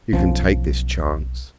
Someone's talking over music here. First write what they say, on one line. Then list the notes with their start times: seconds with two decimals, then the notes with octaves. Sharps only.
You can take this chance.
0.13 B1 F3 C#4